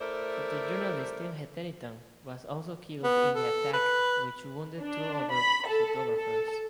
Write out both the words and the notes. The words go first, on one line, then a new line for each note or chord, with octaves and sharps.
Photojournalist Tim Hetherington was also killed in the attack, which wounded two other photographers.
A3 E4 A#4 C5 D5
B3
A4
B4
D4
B5
A4
A4